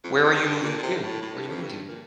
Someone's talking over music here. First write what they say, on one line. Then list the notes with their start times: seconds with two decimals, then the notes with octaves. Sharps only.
Where are you moving to? Where you moving to?
0.04 F2
0.14 G2
0.22 F2
0.34 G2
0.62 A#2
0.78 A#2
0.83 C3
0.96 G2
1.02 A2
1.22 A2
1.36 G2
1.49 F2
1.62 G2
1.88 A#2